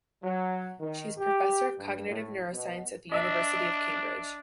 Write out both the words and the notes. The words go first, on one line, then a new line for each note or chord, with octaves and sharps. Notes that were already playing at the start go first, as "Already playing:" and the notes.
She is Professor of Cognitive Neuroscience at the University of Cambridge.
F#3
D#3
G4
G2
A2
B2
D4 D#5 E5